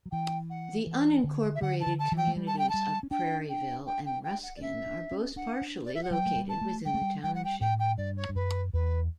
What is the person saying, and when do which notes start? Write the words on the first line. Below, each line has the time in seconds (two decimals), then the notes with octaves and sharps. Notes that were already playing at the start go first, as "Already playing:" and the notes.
The unincorporated communities of Prairieville and Ruskin are both partially located within the township.
0.06 F#3
0.11 E3 G5
0.50 F#5
0.86 E3
1.24 D3
1.55 E5
1.62 D3 F#5
1.80 A5
1.86 D3
1.99 A5
2.12 E3
2.17 G5
2.27 A3
2.36 G3
2.47 A5
2.58 G5
2.69 G3 A5
3.03 C#4
3.11 D4 G5
3.49 G5
3.86 G5
4.06 G5
4.24 G5
4.43 F#5
4.56 D5
4.61 C#4 E5
4.86 D4
5.11 C#4
5.36 D4 F#5
5.61 D4
5.85 D5
5.94 E5
6.03 F#5
6.11 F#3 G5
6.26 A3
6.36 G3
6.49 A5
6.61 A3
6.85 G3 G5
6.94 A3
7.01 G3
7.23 G3 G5
7.35 F#5
7.44 G5
7.61 A2 G5
7.79 G5
7.98 G2 D5
8.17 C#5
8.29 G2
8.35 F#2 B4
8.73 E2 B4